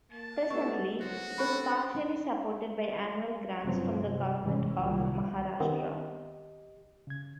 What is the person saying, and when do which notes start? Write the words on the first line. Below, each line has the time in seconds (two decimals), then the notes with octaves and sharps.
Presently, it is partially supported by annual grants from the Government of Maharashtra.
0.12 A#3 A5
0.50 A3 B3 D#4 G4 A4 C#6
1.01 F#3 F#4 C5 D#5 C6
1.38 C4 D4 G4 A4 B5 C#6 F#6
3.64 G1 G2 C#3 F3 F#3 C4
3.95 C3
4.38 F#1 G#2 C3 E3 C#4
4.80 C2 A#2 D#3 F3 F#3
5.60 D#3 B3 C4 G4 D#5
7.07 C#3 G#6